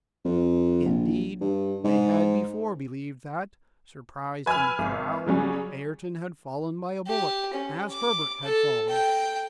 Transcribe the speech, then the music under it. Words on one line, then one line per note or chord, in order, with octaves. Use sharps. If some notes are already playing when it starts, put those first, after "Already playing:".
Indeed, they had before believed that, surprised in the corral, Ayrton had fallen by a bullet, as Herbert had fallen.
F2
A#1
G2
G#2
B4 G#5 B5 E6 F6
G#1
C#3 F#3 G3 C#4
G4
C#4
D6
A4
G5